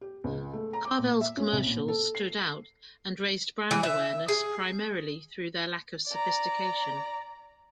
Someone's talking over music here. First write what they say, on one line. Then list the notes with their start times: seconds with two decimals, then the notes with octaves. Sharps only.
Carvel's commercials stood out and raised brand awareness primarily through their lack of sophistication.
0.01 G4
0.24 C#2
0.53 A3
0.73 A#5
0.85 D6
0.98 A#2
1.21 E5
1.37 C#4
1.53 C2
1.66 A#2
1.88 A4
2.15 C7
3.71 E3
3.83 E5
4.28 G#4
6.09 D5 A#5